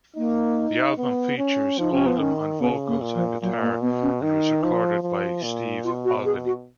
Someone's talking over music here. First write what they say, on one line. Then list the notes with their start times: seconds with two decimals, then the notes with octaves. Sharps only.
The album features Oldham on vocals and guitar, and was recorded by Steve Albini.
0.16 A#3 D#4
0.98 B3
1.38 C#4
1.78 F3 D#4
1.92 C#4
2.06 B3
2.19 D#3 C#4
2.60 C#3 B3
2.87 A#3
3.01 A#2
3.15 F3
3.41 A#2 F#3
3.61 A#3
3.81 B2 B3
4.02 C#4
4.22 D#3 D#4
4.63 F3
5.03 F3
5.43 A#2
5.84 B2 F4
6.05 F#4
6.25 G#4
6.45 F#4